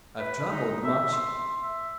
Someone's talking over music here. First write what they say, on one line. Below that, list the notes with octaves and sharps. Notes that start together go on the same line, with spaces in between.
I've travelled much.
B4
D#4
E5
C6
E5